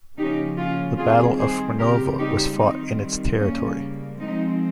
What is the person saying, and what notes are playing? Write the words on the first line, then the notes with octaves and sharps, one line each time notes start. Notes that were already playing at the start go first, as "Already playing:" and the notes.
The Battle of Fornovo was fought in its territory.
C#3 F3 A#3 C#4 D#4 G4
C#4 F4
D#3 G3 C4 F4 G#4
G#4 C5
C#3 G3 C4 G4 A#4
D#4 G4
D#3 G3 C4 D#4
C#3 G3 A#3 C#4
F3 G#3 C4 D#4